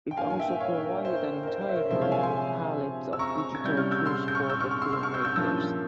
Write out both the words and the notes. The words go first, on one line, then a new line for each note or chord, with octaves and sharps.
It also provided an entirely new palette of digital tools for the film-makers.
G5
G2 E3 A#3 F5 G#5
G#5
E5 G5
C#5 F5
A#4
C5
A#4
C5
C5
E5
A#4 C#5
C3 F3 G#3 E4 C5 E5
C#5 F5
F5 G#5
G#5 C6
E6
A#5 C#6
G#6
C3 G3 C#4 E4 G6
C#6 F6
E6 G6
C6 E6
G6
C#6 F6
E6 G6
C#6 F6
C#6 F6
C6 E6
C6 E6
C#6 F6
E6 G6
E6 G6
G2 F3 A#3 C#4 E4 E6 G6